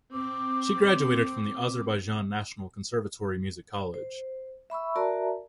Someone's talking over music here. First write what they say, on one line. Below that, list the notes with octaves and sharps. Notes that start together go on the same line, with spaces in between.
She graduated from Azerbaijan National Conservatory Music College.
C4 D6
C5
E5 B5 C#6 E6
F#4 A#4 D5 E5 A5 A#5